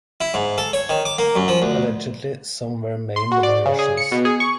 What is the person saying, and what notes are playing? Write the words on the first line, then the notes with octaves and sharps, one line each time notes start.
Allegedly some were maimed by Russians.
E4
G#2
A4
C#5
D#3
D6
A#3
F#2
F3
D2
C6
F#4
D5
C#3
G#4
C#7
B2
G#4
C#6